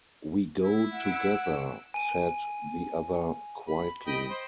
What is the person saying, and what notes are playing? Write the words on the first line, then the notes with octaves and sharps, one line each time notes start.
"We go together," said the other quietly.
E4
F#5 E6 D7
G#5 D#7
B5
D#5 G5 B5
C5